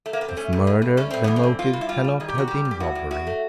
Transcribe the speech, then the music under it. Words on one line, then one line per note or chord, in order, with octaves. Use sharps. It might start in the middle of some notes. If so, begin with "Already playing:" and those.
If murder the motive cannot have been robbery.
A3
A#3
B3
C4
A3 C#4
G2
G2
G2
A3 C#4
G2 C4
E3 B3
C4
G2
G2 F4
G2
E4
G3 F4
G3
D#3 G#4
G4
D#3 F#4
G3 G4
G2
G4
A2 F#4
A2
A2 F#4
A3